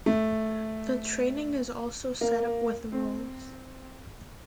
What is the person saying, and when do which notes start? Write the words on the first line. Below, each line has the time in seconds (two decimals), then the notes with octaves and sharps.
The training is also set up with roles.
0.06 A3
2.21 A#3
2.92 C4